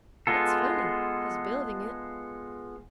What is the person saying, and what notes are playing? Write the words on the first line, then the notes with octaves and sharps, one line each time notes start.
"It's funny--his building it."
G#3 B3 F4 A4